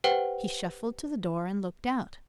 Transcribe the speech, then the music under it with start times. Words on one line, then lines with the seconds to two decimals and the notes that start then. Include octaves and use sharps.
He shuffled to the door and looked out.
0.04 G4 B4 C5 F#5 G5